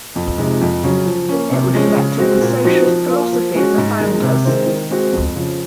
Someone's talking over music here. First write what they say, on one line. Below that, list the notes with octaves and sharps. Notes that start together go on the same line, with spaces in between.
It reflected the socialist philosophy of the founders.
F2
C3 F3 G#3 D#4
F2
C#3 F#3 C#4
F3
A#3 C#4
C3
F3 G#3 C#4
C#3
G#3 C4 F#4
A#2
F3 C4 D#4 F#4
F3
A#3 F4
F3
G#3 C#4 F#4
G#2
D#3 G#3
C3
D#3 G#3 C4
D#3
G#3 C4 F#4
F2
C#3 F3